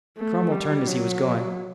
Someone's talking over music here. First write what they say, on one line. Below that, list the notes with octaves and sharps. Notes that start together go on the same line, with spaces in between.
Cromwell turned as he was going.
A3
G3
F#3